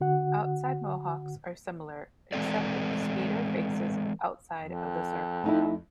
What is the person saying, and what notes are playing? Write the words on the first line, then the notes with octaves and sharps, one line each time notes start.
Outside mohawks are similar, except that the skater faces outside of the circle.
D3 F#4 F#5
E3 G#3 C4 A4 D5
F2
A3 D#4 E4